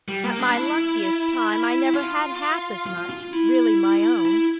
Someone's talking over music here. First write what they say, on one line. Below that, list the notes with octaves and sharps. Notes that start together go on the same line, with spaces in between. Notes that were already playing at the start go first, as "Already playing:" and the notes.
At my luckiest time, I never had half as much, really my own.
G3
A#3
D4
E4
F4
F4
F4
E4
E4